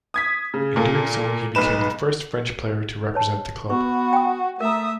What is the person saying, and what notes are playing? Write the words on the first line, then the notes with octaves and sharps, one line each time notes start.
In doing so, he became the first French player to represent the club.
D#6 G#6 B6
C#3
A#2 A#3 A4
B1 D#4 B4 E7
B4 C#5 A5
B3 F#4 B4 C#6
G5 G#5 D#6
A3 A#4 E5 A#5 D#6